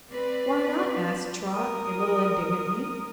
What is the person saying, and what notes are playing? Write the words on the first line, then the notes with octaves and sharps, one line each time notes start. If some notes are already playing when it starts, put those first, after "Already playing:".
"Why not?" asked Trot, a little indignantly.
C4 B4 D5
A#4 D#6